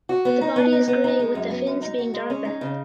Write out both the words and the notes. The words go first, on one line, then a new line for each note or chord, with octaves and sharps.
The body is grey with the fins being darker.
F#4
B3
D#4
B3
D#4
B3
D#4
G#3
F#2
B3
F#2
D#4
F#4
G#3
C#4
D#4
C#3